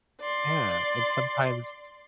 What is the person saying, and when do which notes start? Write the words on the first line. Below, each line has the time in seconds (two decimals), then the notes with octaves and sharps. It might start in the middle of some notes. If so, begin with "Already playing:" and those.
Yeah, and sometimes
0.21 D5 C6